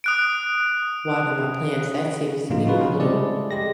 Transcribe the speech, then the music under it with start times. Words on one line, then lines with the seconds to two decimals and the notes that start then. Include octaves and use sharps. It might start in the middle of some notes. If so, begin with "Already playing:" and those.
water my plants, that seems to be my little
0.04 D#6 F#6 D7
2.50 A2 C#3 F3 A#3 D#4 F4
2.65 G3 D#4 F4 F#4 B4
2.84 C#3 F3
3.00 G3 G#3 E4 G#4 A4 D5
3.51 G#3 G4 A#6